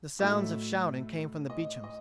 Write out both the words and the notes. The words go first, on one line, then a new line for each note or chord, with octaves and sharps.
The sounds of shouting came from the Beecham's.
A2 F#3 A3 D#4 E5
D#5
D#5